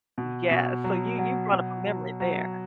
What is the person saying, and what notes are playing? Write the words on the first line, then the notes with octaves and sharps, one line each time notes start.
Yeah, so you you brought up a memory there.
B2
B2
F#3
F#3
B2
F#3
F#3